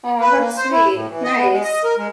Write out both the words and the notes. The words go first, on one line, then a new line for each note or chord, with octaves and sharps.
Aw, that's sweet, nice.
B4
A#3
C5
E4
A2
E3
D#5
B3
G#3
D#5
A#4
G#3